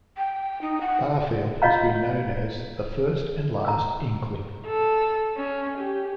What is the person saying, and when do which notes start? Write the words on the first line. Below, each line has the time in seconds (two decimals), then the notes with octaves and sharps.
Barfield has been known as "the first and last Inkling".
0.17 G5
0.62 D#4
0.81 F#5
1.62 F4 C#5 D#5 F5 A#5
3.65 A#5 E6
4.67 A4
5.37 C#4
5.78 G4